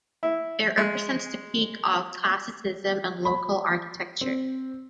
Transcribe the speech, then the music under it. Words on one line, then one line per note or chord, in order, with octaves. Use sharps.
It represents the peak of classicism in local architecture.
E4
G#3
B5
C4